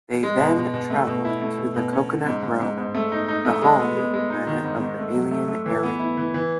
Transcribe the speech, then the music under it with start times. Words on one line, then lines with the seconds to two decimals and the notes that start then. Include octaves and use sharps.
They then traveled to the "Coconut Grove", the home planet of the alien Ariel.
0.23 G#3
0.40 B2
0.57 B2
0.74 B2
0.90 A3
1.07 B2
1.25 E4
1.42 A3
1.58 B2
1.76 B2
1.93 C#4
2.10 C#4
2.26 G#2
2.43 G#2
2.60 G#2
2.78 G#2
2.95 A3
3.12 D#4
3.28 D#4
3.45 A3
3.62 G#3
3.79 B3
3.97 G#3
4.13 G#3
4.30 D#4
4.47 D#3
4.64 G#2
4.80 G#2
4.99 A3
5.14 F#3
5.31 A3
5.48 A3
5.66 E3
5.83 B3
5.99 E4
6.17 E3
6.34 E3